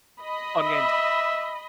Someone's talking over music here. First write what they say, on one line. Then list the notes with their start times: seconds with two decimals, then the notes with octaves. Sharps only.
Fun games.
0.20 D#5 B5
0.66 E5